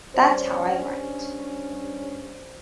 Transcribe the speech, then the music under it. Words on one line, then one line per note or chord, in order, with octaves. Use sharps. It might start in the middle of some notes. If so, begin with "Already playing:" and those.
That's how I write.
G2 C#4 C5 D5